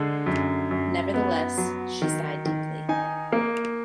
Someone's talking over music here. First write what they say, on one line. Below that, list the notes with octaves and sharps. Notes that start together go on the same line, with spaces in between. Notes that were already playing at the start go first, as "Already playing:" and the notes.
Nevertheless, she sighed deeply.
Already playing: D3 G#3
F#2
F#2
B3
F#3
D#3
D#3
D#4 G#5
A#3